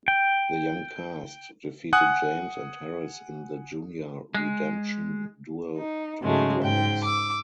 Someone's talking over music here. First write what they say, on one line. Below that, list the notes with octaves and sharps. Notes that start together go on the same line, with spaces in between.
The Young Cast defeated James and Harris in the Junior Redemption Duel to advance.
G5
F#5 G#5 D#6 F#6
G#3
D#4
G#2 C#3 F#3 G#3 A3
G#2 G5
D6 E6